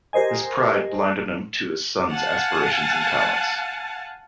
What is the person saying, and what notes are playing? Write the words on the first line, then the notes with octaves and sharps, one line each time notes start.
His pride blinded him to his son's aspirations and talents.
G4 A#4 C5 D#5 G#5
F5 F#5 G#5 A5